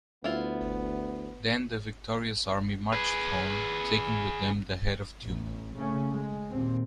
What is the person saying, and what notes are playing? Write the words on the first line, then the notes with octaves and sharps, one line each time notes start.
Then the victorious army marched home taking with them the head of Teumman.
D2 B3 E4 F4
G#4 B4
A1
C#3 A3 C#4
G#3
D#2 A#2 C4